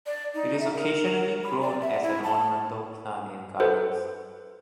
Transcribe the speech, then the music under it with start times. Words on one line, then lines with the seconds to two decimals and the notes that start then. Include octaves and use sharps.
It is occasionally grown as an ornamental plant in gardens.
0.06 D5
0.35 D#4
0.59 E5
0.74 A#4
1.44 B5
1.61 D5
1.81 E5
2.03 E4
2.24 A5
3.60 A4 B4 C5